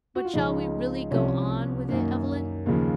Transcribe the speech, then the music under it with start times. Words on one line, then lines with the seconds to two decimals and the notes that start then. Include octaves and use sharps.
"But, shall we really go on with it, Evelyn?"
0.15 F#4
0.25 F4
0.33 C#2 C#3 F3 D#4
1.11 C2 C3 F3 C#4
1.89 F#2 D#3 A#3
2.66 D#2 C#3 F3 A#3